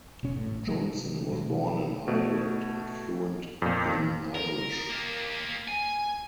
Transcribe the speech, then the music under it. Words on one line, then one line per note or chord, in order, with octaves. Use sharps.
Johnson was born in Ireland and fluent in Irish.
E1 B2 C#4
G#1 A2
C3 F#3 G#3
B2 D#3 F#3 G#3
B2 A3
F2 A#2
A#4
A#3 G4
G#5